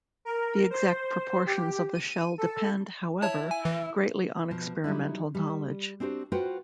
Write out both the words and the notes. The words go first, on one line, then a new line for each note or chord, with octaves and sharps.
The exact proportions of the shell depend, however, greatly on experimental knowledge.
A#4
C5
G4
D#7
A4
E4 C#5 A5
G#5
E3
B2 F3
F#3 G3 D#4 E4
G3
C4 D4 F#4 G4 C5
F4 F#4 B4 C5 F#5 G5